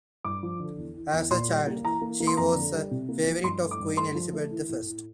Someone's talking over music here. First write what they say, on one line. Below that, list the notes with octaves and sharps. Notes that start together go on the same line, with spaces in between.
As a child she was a favourite of Queen Elizabeth the First.
G2 D6
F3
D3
E2
E3
E2
A#2 C6
G3
A#3
E3 A#5
A#3
A#3
C6
F2 A#5
D3
G3
C3
A#3
F3
G2 C6
A3
D6
G2
A3 C6
F3
A3
E3
A2
A2